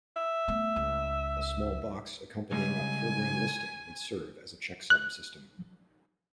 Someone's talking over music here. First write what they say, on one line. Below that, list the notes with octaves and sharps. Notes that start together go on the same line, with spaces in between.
A small box accompanying a program listing would serve as a checksum system.
E5
A3 B3
C#2
C#3 G3 G#3 G#5
F#6